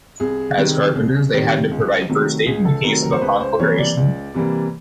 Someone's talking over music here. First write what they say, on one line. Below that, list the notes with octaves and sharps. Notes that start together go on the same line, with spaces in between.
As carpenters, they had to provide first aid in the case of a conflagration.
C2 G#4
C3 D#3 G3
C2
C3 D#3 G3
C#2
C3 D#3 F#3 A3
C#2 G#4
A4
C3 D#3 F#3 A3 A#4
A#4
C5
C#2 B4
C5
C3 E3 G3 A#3 C#5
D5
C#2
C3 E3 G3 A#3